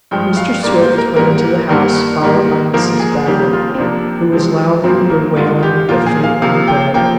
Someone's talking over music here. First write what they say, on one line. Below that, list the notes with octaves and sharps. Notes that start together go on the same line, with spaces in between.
Mr. Swift went into the house, followed by Mrs. Baggert, who was loudly bewailing the fate of her bread.
G2 F3 G#3 G5
F5
G#2 G3 A#3 D5
C5
A#4
G#2 G3 A#3 A#4
G2 D#3 G3 A#3
G#2 G3 A#3
G#2 F3 A#3 A#4
G#4
F2 D#3 G3 A#3 G4
F4
C4
C3 F3 A#3 D4
C3 F3 G#3
G#2 F3 A#3 C4
A#3
G2 D3 G#3 F4
G4
A#2 F3 A#3 F4
G#4
F5
C3 F3 A#3 F5
G5
F3 A#3 G5